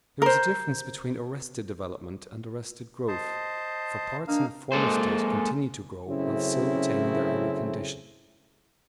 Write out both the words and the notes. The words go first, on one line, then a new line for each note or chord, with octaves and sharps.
There is a difference between arrested development and arrested growth, for parts in the former state continue to grow whilst still retaining their early condition.
A#4 C5
C5 D#5 A5
A#3 D4 D#4 F5
G#3 A#3 A4 C5
F#2 C#3 A3 C4 C#4 E4